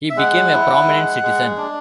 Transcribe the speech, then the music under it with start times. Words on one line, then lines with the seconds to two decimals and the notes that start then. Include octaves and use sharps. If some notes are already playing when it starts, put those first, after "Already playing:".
He became a prominent citizen.
0.10 E5
0.17 G#3 F#5
0.53 E4
0.87 G#3
1.22 G#3
1.57 D4